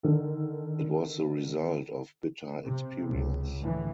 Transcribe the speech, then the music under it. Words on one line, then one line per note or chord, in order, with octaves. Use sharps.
It was the result of bitter experience.
D3 D#3 A4
C3
C#2
A2 D3 E3